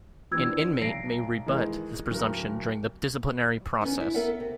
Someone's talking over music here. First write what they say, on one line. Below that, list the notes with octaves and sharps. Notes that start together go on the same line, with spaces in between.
An inmate may rebut this presumption during the disciplinary process.
E3 C4 D4 F4 E6 G#6
B1 A#6 C7 D7
D#3 E3 G#3
D1 A#4
D3 B3 C#4 D#4
E4
B3 A4 A#4 E5 F#5
C3